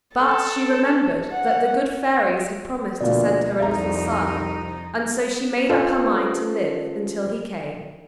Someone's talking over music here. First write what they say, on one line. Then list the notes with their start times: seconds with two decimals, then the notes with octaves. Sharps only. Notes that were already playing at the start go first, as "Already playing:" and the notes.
But she remembered that the good fairies had promised to send her a little son, and so she made up her mind to live until he came.
0.16 A4
1.31 F#5
3.01 D2 B2 F3 A#3 D5
3.59 C2 F2 D#4 E5 A#5
5.70 C#4 F4 A4 B4 C5